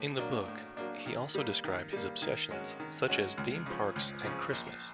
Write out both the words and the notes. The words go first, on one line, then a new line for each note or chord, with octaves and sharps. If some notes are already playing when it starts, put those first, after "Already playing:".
In the book, he also describes his obsessions, such as theme parks and Christmas.
Already playing: A2
F#3 A#3 D4
A2
F#3 A#3 D4
D#3
G3 A#3
D#3
G3 A#3
D#3
G#3 C#4 F#4
D#3
G#3 C#4 F#4
C#2
C#3 F3
C#2
C#3 F3
A#1